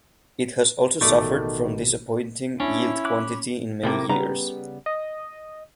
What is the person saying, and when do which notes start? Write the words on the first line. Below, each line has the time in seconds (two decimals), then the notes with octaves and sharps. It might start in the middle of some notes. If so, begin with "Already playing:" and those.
It has also suffered from disappointing yield quantity in many years.
1.01 A1 B2 D#3 A3 G4 A4 B4 D5
2.60 C#4 D4 E4
3.05 B5 D6 F#6
3.83 A2 C3 A#3
4.09 C#3 G3 B3 A#5
4.86 D#5